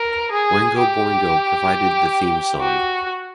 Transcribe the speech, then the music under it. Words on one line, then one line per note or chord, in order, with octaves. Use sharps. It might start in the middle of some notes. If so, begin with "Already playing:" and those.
Oingo Boingo provided the theme song.
Already playing: A#4
G#4
G4
F#4